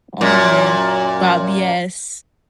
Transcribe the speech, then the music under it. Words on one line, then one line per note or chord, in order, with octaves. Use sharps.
Oh man, Bob Yes.
F#2 A#2